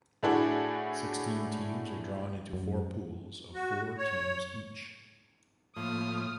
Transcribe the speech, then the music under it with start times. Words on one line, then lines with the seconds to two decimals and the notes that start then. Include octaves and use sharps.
Sixteen teams are drawn into four pools of four teams each.
0.23 A2 A3 D4 E4 F#4 G#4
2.53 F#2
3.53 F#4
3.98 C#5
5.77 A2 F3 A#3 D#6 F6